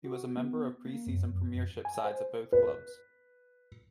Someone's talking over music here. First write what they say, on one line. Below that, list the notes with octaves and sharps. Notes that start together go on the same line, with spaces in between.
He was a member of preseason premiership sides at both clubs.
F#4
B3
A#3
F#2
G#5
C5
B4